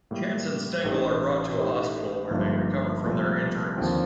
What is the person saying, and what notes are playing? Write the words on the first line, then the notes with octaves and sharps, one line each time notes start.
Chance and Stengel are brought to a hospital, where they recover from their injuries.
A2 G3 A#3
A1 A2 A3 D#4 G4
A2 A3 D#4 G4
G1 G2 F3 A#3 D#4
C2 A#2 F3 A3
D#2 D3 F3 C4